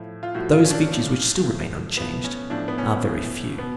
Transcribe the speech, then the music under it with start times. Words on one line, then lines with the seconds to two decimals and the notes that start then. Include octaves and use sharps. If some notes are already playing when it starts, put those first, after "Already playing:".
Those features which still remain unchanged are very few.
Already playing: A2 F3
0.23 F4
0.35 A2 F3 F#4
0.53 F4
0.64 C#4
0.71 D4
0.88 A2 F3
1.44 A2 F3
1.97 A2 F3 B3
2.24 C#4
2.50 A2 F3 D4
2.68 B3
2.78 C#4
3.04 A2 F3
3.58 B2 B3